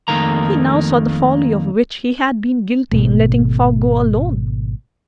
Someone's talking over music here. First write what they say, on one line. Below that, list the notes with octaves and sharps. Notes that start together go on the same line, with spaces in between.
He now saw the folly of which he had been guilty in letting Fogg go alone.
F2 G#2 D#3 A3 A#3 A#5
G#1 C#2 B2 A3